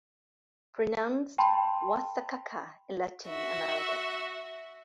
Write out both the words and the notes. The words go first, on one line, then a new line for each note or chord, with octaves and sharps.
Pronounced "wasakaka" in Latin America.
G5 A5 B5 C6
F#4 E5